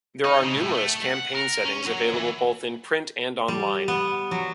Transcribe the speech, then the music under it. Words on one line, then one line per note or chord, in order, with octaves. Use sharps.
There are numerous campaign settings available both in print and online.
D#4
C#3
A2
A3
F#5
A#4
C#4
F#3
E3
G3
B3
F#3